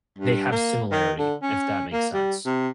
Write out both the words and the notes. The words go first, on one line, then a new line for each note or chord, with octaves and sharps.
they have similarity, if that makes sense.
G2
A#3
D#3
D3
C#4
A#3
G3
C3